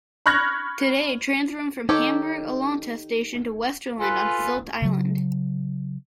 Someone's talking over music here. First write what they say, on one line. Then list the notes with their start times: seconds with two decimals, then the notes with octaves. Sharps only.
Today trains run from Hamburg-Altona station to Westerland on Sylt island.
0.26 B5 C#6 F6 F#6 G#6 A#6
1.89 D#4 G4 A4 C#5
4.00 F4 A4 B4 G#5
4.82 C#3 F#3